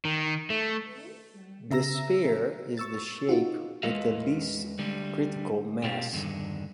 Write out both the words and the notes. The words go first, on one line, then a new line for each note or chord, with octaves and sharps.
The sphere is the shape with the least critical mass.
D#3
A3
C#3 E5 A#5 E6 A#6
C#6 E6 A6
D#4 F4 F#4
E2 G#3 A4 B4 D#5 F5
D2 D3 G3
B2 A3 A#3 C4 F4 G4
E2 G2 D3 D#3